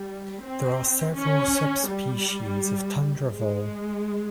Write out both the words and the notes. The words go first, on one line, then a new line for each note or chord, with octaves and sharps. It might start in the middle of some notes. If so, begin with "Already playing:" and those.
There are several subspecies of tundra vole.
Already playing: G3
C4
C#4
G3
G#3